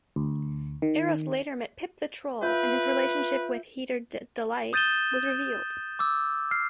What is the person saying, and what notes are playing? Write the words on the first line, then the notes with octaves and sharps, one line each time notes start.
Eros later met Pip the Troll, and his relationship with Heater Delight was revealed.
D2
D#3
F4 B4 E5 G6
D#6 G6 A6 D#7 E7 G7
D6 E6
F6 C7